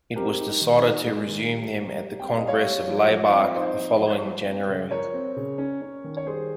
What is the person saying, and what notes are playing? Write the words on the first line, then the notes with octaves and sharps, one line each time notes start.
It was decided to resume them at the Congress of Laibach the following January.
C4 G4 A#4
D#4
D#3
D#4
G#3
D#3
G3
G3
G3
C4 G5
F5
G3 D#5
C#5 F5
G3
F3
F3
C4
D#4 C5 D#5
F3
F3
F3
C4
C#3
F3 A#4 C#5
C4
C#3
C#4
C#4
D#3
C#5
G3 G#4 C5